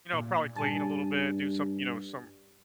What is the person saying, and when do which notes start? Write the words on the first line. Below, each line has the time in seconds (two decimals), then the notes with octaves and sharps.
you know, probably clean a little bit, do some you know, some
0.13 A#2
0.56 G2 G#5 A5